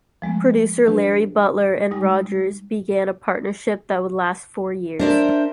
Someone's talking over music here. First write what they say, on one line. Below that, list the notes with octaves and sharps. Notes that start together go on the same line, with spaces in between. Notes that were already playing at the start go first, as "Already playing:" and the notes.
Producer Larry Butler and Rogers began a partnership that would last four years.
F3 G#3 A3 B3
E3 F#3 D4 G4 B4
G3 G#3 D#4 D#6
D4 A#4 C5 D5 E5